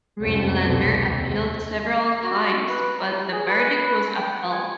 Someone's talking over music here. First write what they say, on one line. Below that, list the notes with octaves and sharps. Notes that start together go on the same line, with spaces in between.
Rhinelander appealed several times but the verdict was upheld.
C2 F2 A3 C#4
C2 F2 B2 D3 B3 C4
D#2 C4
A#5
F#4
B4
A#5
G3
G#4
B4
B4
G5
F#5
G#5